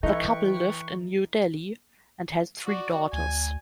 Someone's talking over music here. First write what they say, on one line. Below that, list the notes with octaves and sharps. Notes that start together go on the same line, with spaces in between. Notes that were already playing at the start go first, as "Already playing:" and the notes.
The couple lived in New Delhi, and had three daughters.
E3 D#4 E4 A4 B4 G5 C#6
F#4 D5
D2 G#5